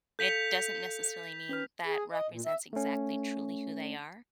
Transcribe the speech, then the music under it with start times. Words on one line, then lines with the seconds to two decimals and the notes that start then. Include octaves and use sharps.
It doesn't necessarily mean that represents exactly truly who they are
0.19 A4 F5 G6 B6 C#7 F7
1.49 C#4 B4 F6
1.86 G#4
2.12 D#5
2.30 A#2
2.46 E5
2.73 A3 C#4